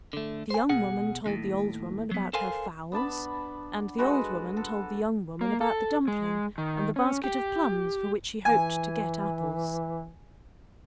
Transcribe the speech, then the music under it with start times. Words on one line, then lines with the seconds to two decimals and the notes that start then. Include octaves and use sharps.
The young woman told the old woman about her fowls and the old woman told the young woman about the dumpling and the basket of plums for which she hoped to get apples.
0.13 D3 A3
0.50 C5 G#5
0.69 B2 G#4 F#5
1.26 D#2 A2 C3
2.11 F#3 B3
2.33 A4 A#4 C5 F5 G#5
2.92 B3 D4 A5 B5
3.98 G#3 F#4 A4 B4
4.57 A4
5.41 A#3
5.61 A4
6.08 G#3
6.58 D#3
6.96 C#4
7.24 G4
8.45 E3 G#5